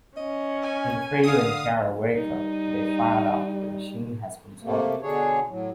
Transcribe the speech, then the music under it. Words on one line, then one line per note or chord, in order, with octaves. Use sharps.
When Frio and Kyaro wake up, they find out the machine has been stolen.
C#4 D#5
G#5
D3 F5 D#6
G3 D#4
C3 A3 A#3
B2 D3 D4 G#4 C#5
A2 F#3